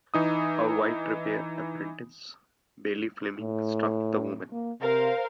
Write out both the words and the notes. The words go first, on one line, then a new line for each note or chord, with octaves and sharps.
A white repair apprentice, Billy Fleming struck the woman.
E3 D#4 D#6
A2
A#3
C3 A#4 C5 F5